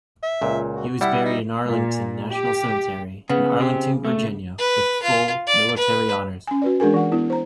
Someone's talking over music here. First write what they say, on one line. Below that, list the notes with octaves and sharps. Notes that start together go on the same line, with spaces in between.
He was buried in Arlington National Cemetery in Arlington, Virginia, with full military honors.
E5
C#2 A#2
F#4
G3 E4 F#5
D#4
A#2
G4
C#3 B3
C4 G4
A3
B4
F4
D5
B4
C#4 G#5
F#4 B4 D5
E3 G#3 D4 G#4 A#4 G#5
E3 F#5
B3 E4
C5 A#5